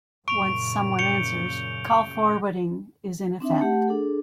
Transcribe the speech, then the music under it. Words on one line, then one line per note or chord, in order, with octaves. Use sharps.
Once someone answers, call forwarding is in effect.
F#2 A#2 C#3 C#6 D7 F7
G6 C#7 F7 G7
C4 D4 D#4 E5
A3 G4 F#5
D4 G#4 A4